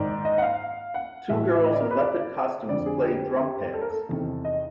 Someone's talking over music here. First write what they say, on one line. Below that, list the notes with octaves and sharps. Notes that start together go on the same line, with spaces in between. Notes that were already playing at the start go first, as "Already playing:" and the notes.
Two girls in leopard costumes play drum pads.
Already playing: G#2 D#3 D5
D#5
F#5
F5
F#5
A2 E3 E5
E5
D#5
D5
A#4
B4
D5
F2 D3 D5
G#4
G4
G4
A4
A#4
A4
E2 C3 D#3
D#5